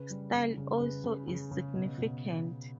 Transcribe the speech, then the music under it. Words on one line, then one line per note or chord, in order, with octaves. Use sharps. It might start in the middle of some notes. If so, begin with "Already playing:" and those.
Style also is significant.
Already playing: C#3 B4
G3
C#3
C#3
C#3 B4
C#3
C#3
C#3
B2
B2